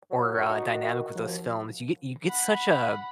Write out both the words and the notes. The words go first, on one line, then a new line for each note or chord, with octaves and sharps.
or uh, dynamic with those films. You get you get such, uh,
F#3
F#2 C#6
D#4 F#4
D#3
D#2 F3
F#5 B5